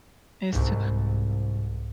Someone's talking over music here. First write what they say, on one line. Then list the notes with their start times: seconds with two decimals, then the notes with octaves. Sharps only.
It's to
0.53 C2 G#2